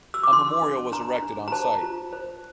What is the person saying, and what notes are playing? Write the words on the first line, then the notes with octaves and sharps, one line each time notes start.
A memorial was erected on site.
E6
D6
D4 C6
D4
D4 A#5
D4
A#5
C5 A5
F4
C5